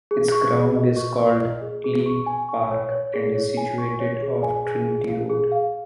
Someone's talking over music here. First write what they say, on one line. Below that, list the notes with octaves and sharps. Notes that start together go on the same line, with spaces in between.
Its ground is called Glebe Park and is situated off Trinity Road.
G#4
C#6
G#4
D#5
C#6
C#6
D#5
G#4
G#4
C#6
G#5
C#6
C#5
C#5
G#4
C#5
G#5
C#6
C#5
G#4
G#5
G#4
G#4
F5
G#4
F5